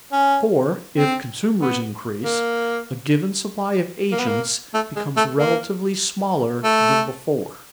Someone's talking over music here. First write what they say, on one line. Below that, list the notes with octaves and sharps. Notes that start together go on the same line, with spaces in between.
For, if consumers increase, a given supply of agents becomes relatively smaller than before.
C#4
C4
B3
A#3
A#3
B3
A#3
A3
G#3
A3
A#3
A3